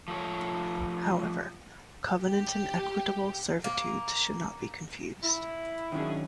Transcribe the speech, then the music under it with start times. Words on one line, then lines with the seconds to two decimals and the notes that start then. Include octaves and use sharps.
However, covenants and equitable servitudes should not be confused.
0.08 F3 A3 C#5
2.20 G4
3.64 A#3
5.24 E4
5.92 D#3 F#3 C#4 D4 G#4